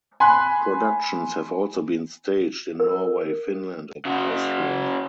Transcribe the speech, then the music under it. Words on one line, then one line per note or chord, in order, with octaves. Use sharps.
Productions have also been staged in Norway Finland and Austria.
G#5 B5 C6 F#6
A#4
C#3 F#4